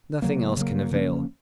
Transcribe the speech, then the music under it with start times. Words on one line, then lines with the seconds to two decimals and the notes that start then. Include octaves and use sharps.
Nothing else can avail.
0.22 C#3 F#3 A#3
0.57 C#3 F#3 A#3
0.91 C#3 F3 A#3 C#4